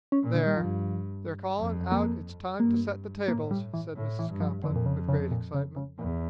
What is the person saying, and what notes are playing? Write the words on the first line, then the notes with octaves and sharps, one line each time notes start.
"There, they're callin' out it's time to set the tables," said Mrs. Caplin, with great excitement.
C#4
A#2
D3
G3
G2 F3
F2
A#3
G2 A#3
A2 A#3
G3
E3
A2
E3
G2
F3
F2 D3
A#2
C#3
C#3
A#2
C#3
C#3
E2 A#2